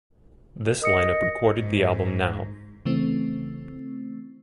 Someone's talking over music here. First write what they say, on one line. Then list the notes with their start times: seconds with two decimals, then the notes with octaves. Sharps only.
This lineup recorded the album "Now".
0.82 A#4 D#5 D#6 C#7
1.58 G#2
2.85 C#3 E3 A3 C4